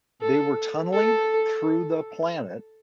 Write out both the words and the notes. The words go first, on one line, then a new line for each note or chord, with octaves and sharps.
they were tunneling through the planet
A4
A4